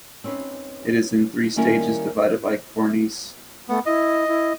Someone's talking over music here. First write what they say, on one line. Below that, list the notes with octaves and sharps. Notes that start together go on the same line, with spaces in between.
It is in three stages divided by cornices.
C4 C#4 D#4 B4
D#3 G3 A#3 C#4 E4 A#4
A3 B3
E4 D#5
E4